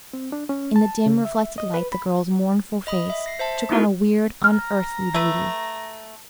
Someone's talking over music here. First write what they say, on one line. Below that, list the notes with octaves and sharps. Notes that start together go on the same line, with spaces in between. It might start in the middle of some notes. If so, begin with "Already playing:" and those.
In the dim, reflected light the girl's mournful face took on a weird, unearthly beauty.
C4
D4
C#4
A5
C#3
E5
D#5
B4
B5
D#5 B5 D#6
E5
A#6 C7
C5 E5 A5
A3 B3 D#4 E4 F#4 A#4
A#5 F6
A3 B4